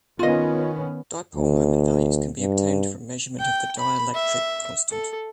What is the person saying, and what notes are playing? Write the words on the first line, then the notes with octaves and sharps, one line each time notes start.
Dipole moment values can be obtained from measurement of the dielectric constant.
D#3 B3 C#4 F4 D#5
D2
G2
G5
B5
E5
A4